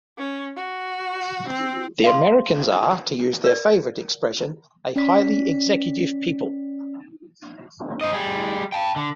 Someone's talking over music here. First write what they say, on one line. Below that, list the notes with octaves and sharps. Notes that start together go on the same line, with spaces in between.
The Americans are, to use their favourite expression, a highly executive people.
C#4
F#4
C4
F5 C6
A#4 D5
C#4 D5 B6
C5 D#5
G3 G#4
G5 A5
D3